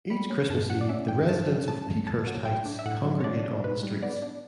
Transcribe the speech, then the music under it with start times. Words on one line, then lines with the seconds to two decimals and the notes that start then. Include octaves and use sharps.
Each Christmas Eve the residents of Peakhurst Heights congregate on the streets.
0.10 G3 B5
0.30 C#4
0.50 G2 A5
0.69 F#3 F#5
0.81 D5
0.89 C#4 E5
1.08 G2 G5
1.29 G2 A5
1.48 F#3
1.67 C#4 A5
1.87 G2
2.07 A2 A5
2.27 F#3
2.45 A3 G5
2.66 D4
2.79 E5
2.86 A2 F#5
3.05 F#3
3.20 C#5
3.24 A3 D5
3.44 D4
3.64 B2 B4
3.83 G3
4.03 B3 D5
4.22 D4